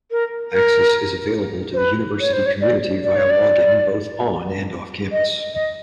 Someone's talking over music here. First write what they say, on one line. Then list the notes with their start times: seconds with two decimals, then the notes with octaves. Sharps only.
Access is available to the university community via login both on and off campus.
0.11 A#4
0.52 A#4
1.73 C5
1.77 B4
2.19 C#5
2.32 C5
2.46 C#5
2.61 D5
3.03 D5
3.16 C#5
3.30 D5
5.11 D#5
5.53 D#5